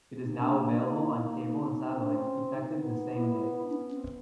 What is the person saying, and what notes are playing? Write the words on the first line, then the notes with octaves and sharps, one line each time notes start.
It is now available on cable and satellite effective the same day.
D#4
A#3 D4
D4
D#4
E4
D#4
C4 D4
C#4
D#4
B3 D#4
E4
E4
D4
C#4
C4